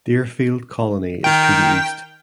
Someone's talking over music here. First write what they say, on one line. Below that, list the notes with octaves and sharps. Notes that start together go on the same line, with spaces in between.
Deerfield Colony is to the east.
D#3 G5